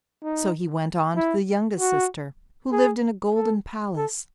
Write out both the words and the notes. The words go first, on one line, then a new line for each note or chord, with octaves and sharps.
So he went on to the youngest sister, who lived in a golden palace.
D#4
E4
F#4
G#4
A4
A4